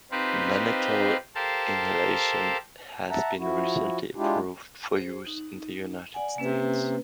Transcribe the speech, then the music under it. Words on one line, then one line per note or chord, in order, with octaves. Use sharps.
Mannitol inhalation has been recently approved for use in the United States.
C4 D#4 F4 G4 B4 C5
G4 A4 A#4 C5 F5 A5
E5 F#5 A5 A#5
F3 E4 F#4
G#3 D4 E4 F4 G4
G#4 C5
D#4
D5 F#5 G#5
C3 A#3 C#4 B4